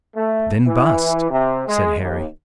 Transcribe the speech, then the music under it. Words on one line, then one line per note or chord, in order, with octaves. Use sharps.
"Then bust," said Harry.
A3
E3
C3
G#3
D#2